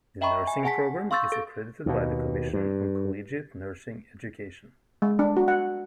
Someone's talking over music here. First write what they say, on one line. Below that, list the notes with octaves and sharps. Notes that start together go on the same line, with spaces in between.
The Nursing program is accredited by the Commission on Collegiate Nursing Education.
D#5 E5 G5 A#5 B5 C#6
G#5
G#4 F#5 G#5 A5 B6
F5 C6 C#6 E6 G6 A6
A4 A6
D#2 B2
G2
G#3
D4
F#4
F#5